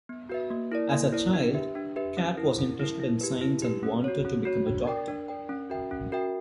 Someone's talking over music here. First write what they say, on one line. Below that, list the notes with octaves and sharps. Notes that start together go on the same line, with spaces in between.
As a child, Catt was interested in science and wanted to become a doctor.
B3
F#4 B4 E5
A#3
E4 A#4 D5
A#3
E4 A#4 D5
D4
G4 B4 E5
D4
G4 B4 E5
C#4
E4 A#4
C#4
E4 A#4
E4
G4 B4
E4
G4 B4
C#4
F#4 C#5
C#4
F#4 C#5
D4
A#4 D5 G5
D4
A#4 D5 G5
C#4
F#4 A#4 E5 G5
C#4
F#4 A#4 E5 G5